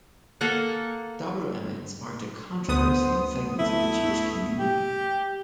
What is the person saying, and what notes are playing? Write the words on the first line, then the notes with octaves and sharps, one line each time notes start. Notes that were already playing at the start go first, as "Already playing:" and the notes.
Dabru Emet sparked a controversy in segments of the Jewish community.
A#3 A4 F#5
D2 B3 C5 D#6
A3 E4
G4 G5